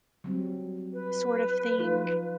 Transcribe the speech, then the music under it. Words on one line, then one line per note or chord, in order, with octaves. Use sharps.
sort of thing
F#3 G3 C4
B4
F3 D#4 F4